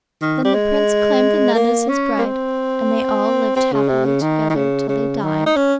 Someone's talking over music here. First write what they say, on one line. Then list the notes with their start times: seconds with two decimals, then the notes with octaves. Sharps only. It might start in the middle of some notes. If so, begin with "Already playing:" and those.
Then the prince claimed the nun as his bride, and they all lived happily together till they died.
0.22 D#3
0.45 G3
0.54 G#3
1.55 A#3
1.89 C#4
2.18 A#3
2.21 C4
3.56 C4
3.72 C#3
3.88 C3
4.05 C#3
4.22 D#3
4.50 D#3
4.55 C#3
4.89 C#3
5.23 D#3
5.46 D#4
5.56 C#4